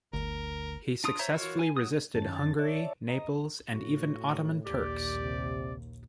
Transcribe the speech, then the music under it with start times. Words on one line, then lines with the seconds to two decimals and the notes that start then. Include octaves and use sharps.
He successfully resisted Hungary, Naples, and even Ottoman Turks.
0.13 G1 D2 A#4
1.04 D4 F4 D#6
1.19 C5 C#5 E5 A#5
1.32 E3 F4 F#4 A#4 C#5
1.59 G#5
1.77 F#3 D#6
2.15 F#2 D#3 C#4 A5 A6
2.59 C#5 D5 E5 A5
3.09 D#5 A#5
3.69 A2 F#4
4.65 A#1 D#2 G4 D5
5.19 C3